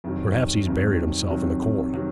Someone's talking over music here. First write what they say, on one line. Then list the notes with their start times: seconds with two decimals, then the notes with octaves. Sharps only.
'Perhaps he's buried himself in the corn.'
0.04 F2 C3 D#3 F#3
0.67 F2 C3 D#3 F#3
1.29 F2 C3 D#3 F#3
1.93 C3 D#3 F#3